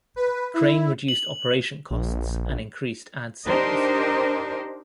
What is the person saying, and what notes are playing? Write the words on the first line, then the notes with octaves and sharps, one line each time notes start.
Crane reduced operation costs and increased ad sales.
B4
E4
F#7
A#1
D4 D#4 G4 A#4 C5 D#5